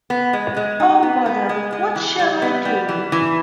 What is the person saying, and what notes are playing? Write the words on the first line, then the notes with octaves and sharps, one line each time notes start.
O mother, what shall I do?
B3
G#3
G#3
D#4
B3
B3
G#3
G#3
E3
G3
B3
G3
E3
E3